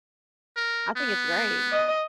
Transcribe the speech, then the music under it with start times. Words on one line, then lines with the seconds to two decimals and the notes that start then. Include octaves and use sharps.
I think it's great.
0.57 A#4
0.97 B3
1.72 D#5